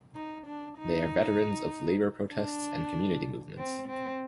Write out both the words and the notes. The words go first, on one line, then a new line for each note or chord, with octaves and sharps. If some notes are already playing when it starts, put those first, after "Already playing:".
They are veterans of labour protests and community movements.
D#4
D4
D#4
D4
C4
C4